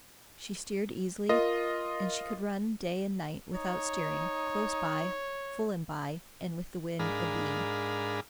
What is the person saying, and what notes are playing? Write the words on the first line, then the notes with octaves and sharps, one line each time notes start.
She steered easily, and she could run day and night, without steering, close-by, full-and-by, and with the wind abeam.
F4 A#4 D#5
D#4 C#5
G#2 D4 G#4 A#4 F5 B5